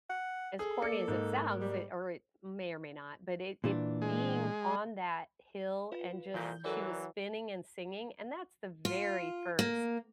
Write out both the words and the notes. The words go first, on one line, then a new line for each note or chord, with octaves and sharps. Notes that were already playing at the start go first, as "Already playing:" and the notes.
as corny as it sounds, it or it may or may not, but it it being on that hill, and just she was spinning and singing, and that's the very first,
F#5
G#4 A4
A#3 D5 C#7
G#2 A#3 D#4
G3
A#2 E3 D4
G#3
F4 B4
C2 F2 A#2 E3 G6
E3 F#3 A4 A#4 D5
F4
A#3